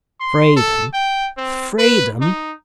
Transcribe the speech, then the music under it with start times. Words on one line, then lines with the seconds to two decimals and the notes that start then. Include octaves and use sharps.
Freedom, freedom!
0.20 C6
0.56 A4
0.94 G5
1.37 C4
1.79 B4
2.21 D#4